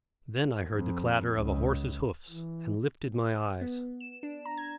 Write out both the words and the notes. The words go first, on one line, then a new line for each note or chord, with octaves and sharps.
Then I heard the clatter of a horse's hoofs, and lifted my eyes.
F2
C#2
E3
B3
E7
D4
A#5
G#6